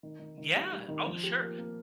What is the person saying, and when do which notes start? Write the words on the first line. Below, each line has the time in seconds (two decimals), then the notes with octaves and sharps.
Yeah. Oh, sure.
0.03 D#3
0.19 D#3
0.38 D#3
0.54 G3
0.72 G3
0.88 D#3
1.07 F3
1.23 G4
1.41 A#3
1.58 A#3